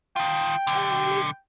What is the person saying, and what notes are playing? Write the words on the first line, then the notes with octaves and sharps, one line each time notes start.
I don't really
D#3 F4 G5
B1 D3